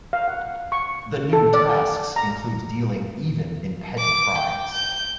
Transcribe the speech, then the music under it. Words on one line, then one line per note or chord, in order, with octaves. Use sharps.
The new tasks include dealing even in petty crimes.
F5
F#5
C#6
A4
D5
A#5
D6
G5
G6